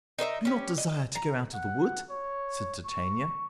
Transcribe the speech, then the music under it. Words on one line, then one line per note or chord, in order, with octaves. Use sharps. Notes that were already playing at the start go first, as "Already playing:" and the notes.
"Do not desire to go out of the wood," said Titania.
D#4 A#4 C5 E5
C#4 G4
D#5
A#5
F#5
C#5
C#6